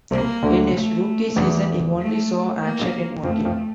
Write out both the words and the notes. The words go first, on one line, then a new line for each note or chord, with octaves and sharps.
In his rookie season he only saw action in one game.
C2 C3 A#3
D2 D3
A3
E2 E3
A3
A#3
F2 F3 A3
F2 F3